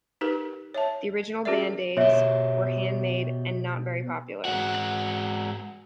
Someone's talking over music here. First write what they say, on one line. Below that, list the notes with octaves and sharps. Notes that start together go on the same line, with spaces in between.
The original Band-Aids were handmade and not very popular.
D#4 G4 A#4 B4
C#5 E5 A5
C#4 F#4 G#4 A#4 D5 E5
B2 G4 C#5 E5
G#2 F#4